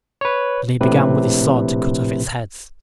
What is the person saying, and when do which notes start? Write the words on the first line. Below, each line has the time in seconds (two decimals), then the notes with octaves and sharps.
Then he began with his sword to cut off its heads.
0.21 B4 C#5
0.80 A#1 A2 C3 B4